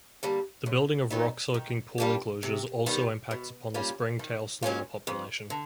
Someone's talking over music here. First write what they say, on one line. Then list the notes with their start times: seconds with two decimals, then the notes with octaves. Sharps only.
The building of rock soaking pool enclosures also impacts upon the springtail snail population.
0.23 D3 G3 A#3
0.66 F#2
1.10 D#3 F#3 B3 D#4
1.54 D#3
1.98 G3 A#3 D4 G4
2.43 C3
2.86 D#3 G3 B3
3.31 B2
3.74 G3 A#3 C#4 F4
4.19 D#3
4.62 F#3 A#3 C#4 F4
5.07 F2
5.50 D3